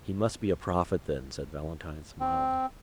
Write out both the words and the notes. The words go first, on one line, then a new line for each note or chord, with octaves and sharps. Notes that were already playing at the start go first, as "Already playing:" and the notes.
"He must be a prophet, then," said Valentine, smiling.
C4